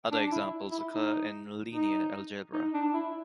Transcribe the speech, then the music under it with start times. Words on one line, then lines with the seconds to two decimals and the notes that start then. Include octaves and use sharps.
Other examples occur in linear algebra.
0.12 D4
0.32 E4
0.71 E4
0.92 D#4
1.73 D#4
2.53 D#4
2.74 D4
2.94 E4